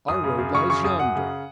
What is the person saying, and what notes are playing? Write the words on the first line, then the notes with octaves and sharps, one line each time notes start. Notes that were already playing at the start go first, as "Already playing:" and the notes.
"Our road lies yonder."
F#2 D#6
C#3
F#2
C#3 C#6
F#2 C#6
F#2 D#6
F#2 F#5
C#3